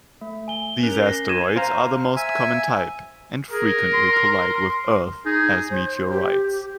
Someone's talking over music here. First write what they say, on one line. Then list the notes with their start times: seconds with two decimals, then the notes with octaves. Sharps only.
These asteroids are the most common type, and frequently collide with Earth as meteorites.
0.21 A3
0.48 G#5 G7
0.83 C#4 A#4 F#6 F7
1.02 A#6 C7
1.29 G#6 D#7 E7
1.56 C5 F5 A#5
2.16 E5 G#5
3.51 G#4 A#4
3.94 C6
5.25 D#4 G#4
5.70 C5
6.10 G4